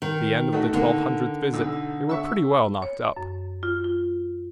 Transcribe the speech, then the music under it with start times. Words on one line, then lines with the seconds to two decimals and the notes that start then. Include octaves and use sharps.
At the end of the twelve-hundredth visit they were pretty well knocked up.
0.02 D#3
0.53 A3 D#4 F#4
0.73 D3 D#3 A#3
1.53 B1 E6
2.09 E5 C#6 E6
2.82 C#5
3.16 F#2
3.63 F4
3.84 F4